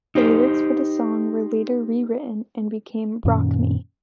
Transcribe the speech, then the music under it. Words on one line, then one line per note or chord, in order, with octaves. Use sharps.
The lyrics for the song were later re-written and became "Rock Me".
D#4 G4 C5
F#2 A#2 D#3 C#4